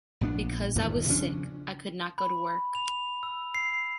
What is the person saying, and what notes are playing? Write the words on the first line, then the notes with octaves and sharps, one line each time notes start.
Because I was sick, I could not go to work.
A#1 A#2 B3 D4
G#1 E2 G2 A#2
C#3 F3 C#4 D4
B5
F7
E6
C7